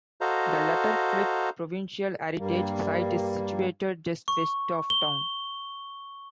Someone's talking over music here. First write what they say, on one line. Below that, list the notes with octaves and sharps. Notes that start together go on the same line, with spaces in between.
The Letterklip provincial heritage site is situated just west of town.
F#4 A4 C5 D#5 F5 A#5
G2 G3 A#3
C#6
G7